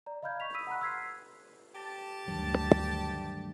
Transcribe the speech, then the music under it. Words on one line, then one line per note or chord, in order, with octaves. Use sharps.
During the competition, it was known as "Herning Stadion".
D5 A#5
D#5 F5 B5 F6 G6 G#6
C#6 B6 F7
B5 D#6 E6 B6 D#7
F#5 A#5 B5 F#6
C6 E6 F6 G#6 B6 C7
G4 A5
D2 G2 D#3 F#3